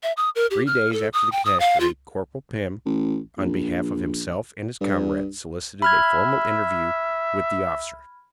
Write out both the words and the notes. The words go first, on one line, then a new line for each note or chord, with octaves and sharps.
Three days after the catastrophe, Corporal Pim, on behalf of himself and his comrades, solicited a formal interview with the officers.
E5
D#6
A#4
G4
F6
A4
D#6
G5
D#6
F5
F4
A1
A#1
G2
E5 B5 F6 G#6